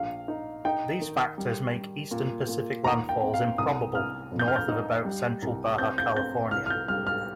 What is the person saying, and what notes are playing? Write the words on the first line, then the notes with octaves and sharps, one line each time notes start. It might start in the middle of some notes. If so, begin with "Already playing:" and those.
These factors make eastern Pacific landfalls improbable north of about central Baja California.
Already playing: A#1 F5
D#4
D#4 G5
D#3
G3
G3
A#2
A#2
D#2 A#5
G5
C4
F5
C2 D#6
C2 F6
F2
G6
F6
G6
D#4
G3
C2
C4 G6
G6
C4 G6
C2 F6
F6
G6
G3 F6
F6